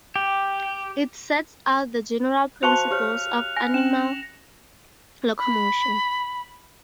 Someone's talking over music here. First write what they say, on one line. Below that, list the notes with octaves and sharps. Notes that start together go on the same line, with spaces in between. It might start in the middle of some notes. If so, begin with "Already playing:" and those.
It sets out the general principles of animal locomotion.
G4
F#4 C5 F5 A5 C#6 F#6 C#7 F7
G4 C#5 F5 F6
G#5 A#6
C#4 E7 F#7
B5